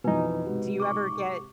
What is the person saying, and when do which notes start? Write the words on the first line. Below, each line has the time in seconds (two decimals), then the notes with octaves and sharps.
Do you ever get,
0.04 F2 B2 E3 D#4 B4 G#5
0.45 G#2 C3 F#4
0.80 C#6 D6